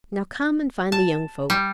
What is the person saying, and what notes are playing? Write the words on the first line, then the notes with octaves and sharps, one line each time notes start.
Now, come and find the young folk.
A5
G3